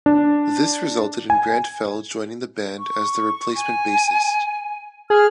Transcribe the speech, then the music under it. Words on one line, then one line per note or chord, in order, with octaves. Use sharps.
This resulted in Grant Fell joining the band as the replacement bassist.
D4
G#5
C#6
G#5
G#4 F6